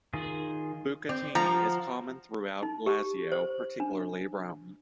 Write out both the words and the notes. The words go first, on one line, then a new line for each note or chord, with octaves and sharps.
Bucatini is common throughout Lazio, particularly Rome.
D#3 F4 G#4
C4 D5 G5
F3 F#5 G5 A5 A#5
D#4
G4
C5
D4